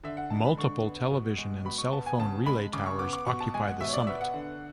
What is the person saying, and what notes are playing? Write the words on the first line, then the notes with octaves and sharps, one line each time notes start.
Multiple television and cell phone relay towers occupy the summit.
D3 E5
F#5
G#3 A5
B5
D3 C#6
B3
B2
G#3
B2 B5
C#6
B3 A5
G#5
C#3 A5
G#3 B5
C#3 D6
C#6
B3 D6
D6
B2 C#6
A5
G#3 G#5
F#5
B2 E5
C#5
D5
B3 E5
F#5
D3